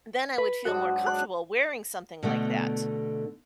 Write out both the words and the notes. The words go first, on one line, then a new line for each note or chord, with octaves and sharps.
then I would feel more comfortable wearing something like that.
B4
G#2 F#3 D4 F#4
D4 F#6
B2 D3 A3